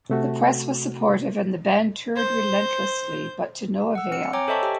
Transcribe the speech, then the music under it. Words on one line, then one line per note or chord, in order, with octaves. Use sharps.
The press was supportive and the band toured relentlessly, but to no avail.
C3 A3 F#4
C5 G6
F#5 E6
C4 C#7
C#5 G5 G#5 A#5 D6
A4 C5 D#5 E5 A5 C#6
G4 G5